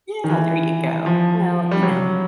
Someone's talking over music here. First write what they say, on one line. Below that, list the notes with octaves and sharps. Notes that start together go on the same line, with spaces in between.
Yeah. There you go. Well, you know,
D#3
E3
F3
G3
F#3